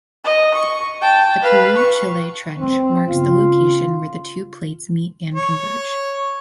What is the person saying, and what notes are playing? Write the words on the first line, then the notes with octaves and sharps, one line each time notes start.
The Peru–Chile trench marks the location where the two plates meet and converge.
D#5
C#6
G5 A5
B4 F5
C#6
D#3 G3 C4
G1 C#3 F4
C#5